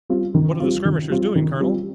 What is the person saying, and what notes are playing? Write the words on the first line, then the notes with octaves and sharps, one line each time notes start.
"What are the skirmishers doing, Colonel?"
G3 C4 F4
D#3
G3 C4 F4
D#3
G3 C4 F4
D#3
G3 C4 F4